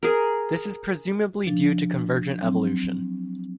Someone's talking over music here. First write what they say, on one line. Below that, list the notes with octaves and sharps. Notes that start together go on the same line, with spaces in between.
This is presumably due to convergent evolution.
G#4 A#4
F3 D4
F#3 C4